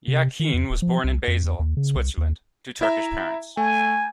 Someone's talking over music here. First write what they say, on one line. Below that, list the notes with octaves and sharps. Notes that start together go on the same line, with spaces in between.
Yakin was born in Basel, Switzerland, to Turkish parents.
C3
D#3
E2
D1
F3
C2
F2
E2
D#2
C#3
C2
D#2
E4 E5 A#5
A3 G#5